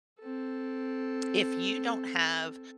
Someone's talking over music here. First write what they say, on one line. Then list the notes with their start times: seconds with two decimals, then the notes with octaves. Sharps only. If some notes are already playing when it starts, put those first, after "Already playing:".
If you don't have
0.20 C4 A4